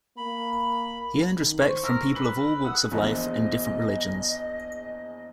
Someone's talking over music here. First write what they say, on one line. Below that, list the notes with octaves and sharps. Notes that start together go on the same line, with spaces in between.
He earned respect from people of all walks of life and different religions.
A#3 B5
D#3
C5 C#6
A#4 E6
B4 F#7
F#5 D#6 E6
A#1 E2 F3 D#5